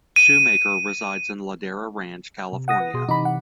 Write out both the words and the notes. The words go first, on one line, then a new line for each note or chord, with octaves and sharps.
Schumaker resides in Ladera Ranch, California.
D#7
C3
F#5 D#6 A#6
B4
B2 G#4 C6
C3 E3 D#4 B5 D6
F#5